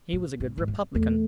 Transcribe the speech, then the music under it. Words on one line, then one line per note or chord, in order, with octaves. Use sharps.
He was a good "Republican."
A2
G#2
G#2
F#2
E2 A3